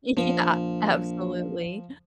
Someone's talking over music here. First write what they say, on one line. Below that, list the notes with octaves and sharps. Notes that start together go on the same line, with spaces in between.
Yeah. Absolutely.
A#1 F3